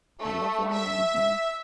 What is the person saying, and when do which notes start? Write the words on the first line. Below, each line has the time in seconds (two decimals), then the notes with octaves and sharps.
I love one man here.
0.20 A3
0.72 E5